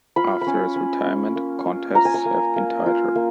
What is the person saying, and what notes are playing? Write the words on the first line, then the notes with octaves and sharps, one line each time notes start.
After his retirement, contests have been tighter.
F4 B5
B5
C#4
C#4
C#4
A#3
F4
F4 A#5
G#5
A#5
A#3
A#3
F4
A#3